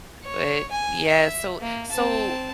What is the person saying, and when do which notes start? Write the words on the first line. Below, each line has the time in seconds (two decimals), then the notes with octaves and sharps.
But yeah, so, so,
0.24 C#5
0.72 G#5
1.08 E5
1.61 A#3
1.92 C4 A5